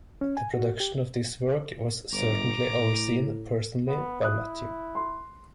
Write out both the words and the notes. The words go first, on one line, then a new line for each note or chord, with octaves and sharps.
The production of this work was certainly overseen personally by Matthew.
C#4
G#5
F#4
G4
G1 A#5 D6
A2
B3
E4 D#6 F#6
C6